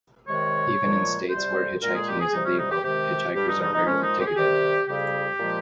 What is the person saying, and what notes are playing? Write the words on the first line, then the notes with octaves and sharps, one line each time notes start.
Even in states where hitchhiking is illegal, hitchhikers are rarely ticketed.
C3 D#3 G#3 C#5
A#2 F3 G#3
C3 G3 C5
A#2 G#3 A#4
G#4
G4
G#4
C3 G3 D#4
C#4
D#4
G4
C3 D#3 G#3 G4
G2 G3 G4
D#4
D#4
D#4
A#2 F3 G#3 C#4
D#4
G4
G#4
C3 D#3 G3 G4
F2 C#3 G3 G4
A#2 F3 G#3